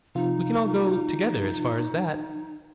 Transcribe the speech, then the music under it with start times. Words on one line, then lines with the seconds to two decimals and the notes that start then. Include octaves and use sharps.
We can all go together as far as that.
0.15 C3 F3 D#4 F4